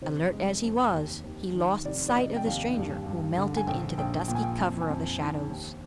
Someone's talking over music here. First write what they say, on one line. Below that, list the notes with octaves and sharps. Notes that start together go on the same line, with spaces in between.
Alert as he was, he lost sight of the stranger who melted into the dusky cover of the shadows.
F1 C5
G#3
F2
D#2
D#2
D#3
F1 D5
D5
F1 D#5
G5
D#2 F5
G2
G2
D3
G#5
A#1 G5
A#1 G5
A#2 G5
G#5
G5
F2 G#5
G#5
F2
D#3
D#2